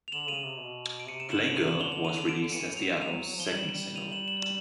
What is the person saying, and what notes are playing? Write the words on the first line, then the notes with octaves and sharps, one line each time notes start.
"Playgirl" was released as the album's second single.
F7
D3 E7 F#7
C#3 D#7 F7
C3
B2
D7
C3 C#7 D#7
D7 E7
D3 E7 F#7
D#7 F7
C3 D#7 F7
E7 F#7
D3 F7 G7
F7 G7
D#7 F7
F7
D7 E7
E3 C#7 D#7
F#3 F7
E7
G#3 D#7 F7
F#3
F#3
F3 G7
G3 E7 F#7
G3
D#7 F7
E7 F#7
E7 F#7
E7 F#7